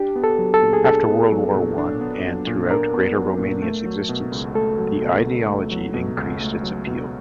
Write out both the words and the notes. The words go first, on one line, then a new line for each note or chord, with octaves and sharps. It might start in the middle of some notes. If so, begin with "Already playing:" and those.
After World War One and throughout Greater Romania's existence, the ideology increased its appeal.
Already playing: D4 G4
B3
A4
F#3
A4
A#2
G#4
D4 A4
B3
F#3
A#2
D4
B3
F#3
A#2
D4 A#4
B3
F#3
A#2
A3
F#3
B2
C#2
A3 A4
F#3
B2
C#2
A3
F#3
B2
C#2
A3
F#3
B2